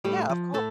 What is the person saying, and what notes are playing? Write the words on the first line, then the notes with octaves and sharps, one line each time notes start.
Yeah, of course.
A2 G3 G4
F3
A2 A3 A4